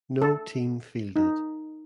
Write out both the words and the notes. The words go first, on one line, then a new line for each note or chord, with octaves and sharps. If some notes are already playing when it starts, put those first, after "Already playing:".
No team fielded.
A4
D#4